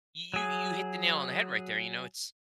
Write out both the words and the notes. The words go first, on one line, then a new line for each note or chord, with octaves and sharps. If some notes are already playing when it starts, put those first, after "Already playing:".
you you you hit the nail on the head right there, you know, it's
F#3 G#4